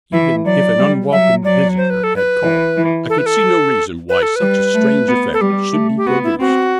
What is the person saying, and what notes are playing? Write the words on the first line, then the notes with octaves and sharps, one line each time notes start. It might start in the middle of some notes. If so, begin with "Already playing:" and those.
Even if an unwelcome visitor had called, I could see no reason why such a strange effect should be produced.
E3 E5
F#3 D5
G3
F#3 E5
F#3 D5
C5
B4
A4
B4
E3
E3
A4
B4
A4
B4
A4
B4
G3
A3
B3
A4
G3 G4
A3
G4
B3 F#4
E4
C4 F#4